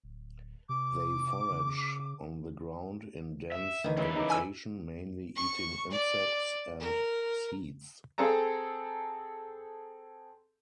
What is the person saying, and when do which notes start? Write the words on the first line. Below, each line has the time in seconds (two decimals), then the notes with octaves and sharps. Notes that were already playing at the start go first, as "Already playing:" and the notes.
They forage on the ground in dense vegetation, mainly eating insects and seeds.
0.04 D1
0.69 C3 D6
1.51 C#3
3.52 E5
3.84 D2 D#3 E3 D#4
3.97 C#3 G#3 E4 B4
4.16 D#4 A#5 D6
4.30 G#5 E6
5.36 C#6
5.91 D5
6.80 A#4
8.18 C4 G#4 A4 A5 A#5